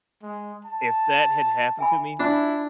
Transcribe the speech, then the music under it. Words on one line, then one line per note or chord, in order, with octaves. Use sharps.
if that had happened to me
G#3
A5
E5 G#5 B5
D4 E4 F4